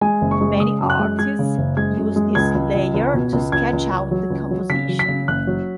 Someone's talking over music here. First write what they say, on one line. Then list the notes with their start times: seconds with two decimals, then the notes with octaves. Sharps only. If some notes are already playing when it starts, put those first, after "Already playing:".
Many artists use this layer to sketch out the composition.
0.01 G#3 G#5
0.21 F#1
0.31 C#6
0.41 G#3
0.60 C#3 D#6
0.80 F#2
0.90 F#6
0.99 G#3
1.19 G#3 G#6
1.39 C#3
1.58 F#1
1.77 G#3 G#6
1.97 F#2
2.16 G#3
2.35 C#2 G#6
2.55 C#2
2.74 C#2
2.94 C#2
3.14 B2
3.33 C#2
3.52 C#2 G#6
3.73 C#2
3.92 C#2
4.11 F#3
4.30 C#2
4.51 F#3
4.69 C#3 B6
4.89 F#3
4.99 B6
5.08 C#3
5.28 F#1 F#6
5.47 F#3